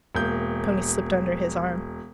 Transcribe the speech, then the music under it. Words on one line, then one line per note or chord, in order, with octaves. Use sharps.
Tony slipped under his arm.
E1 A#3 G6